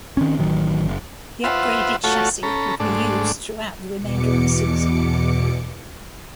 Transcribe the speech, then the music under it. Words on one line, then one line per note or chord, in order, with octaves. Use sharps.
The upgraded chassis would be used throughout the remainder of the season.
D#3 C4 C#4
A1 D#3 F#3
F#1
F4 B4 C5 E5 F#5
A3 F4 F#4 A4 C#5
C#4 A4 A#5 B5
G#2 A3 D4
E2 B2 D6 C#7